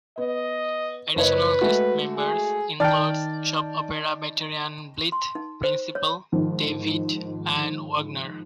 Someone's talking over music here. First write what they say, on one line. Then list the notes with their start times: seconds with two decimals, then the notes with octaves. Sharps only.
Additional cast members included soap opera veterans Bleeth, Principal, David, and Wagner.
0.18 B3 D#5
1.16 F#1 B4 C#5 D#5
1.61 G#3 A3 F#4
2.15 G#4
2.80 D#3 D5 G5 A5 F6
5.12 C6
5.35 D#4
5.64 C5
5.95 C#5
6.32 G#2 D#3 F3